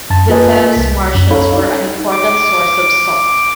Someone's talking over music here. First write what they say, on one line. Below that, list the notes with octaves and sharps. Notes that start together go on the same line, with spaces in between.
The Thames Marshes were an important source of salt.
F#2 A5 A6
A#3 F4 A#4 B4 D#5 G#5
C2 B6
F#2
C#4 D#4 A4 C#5 F5 B5
D#4
D6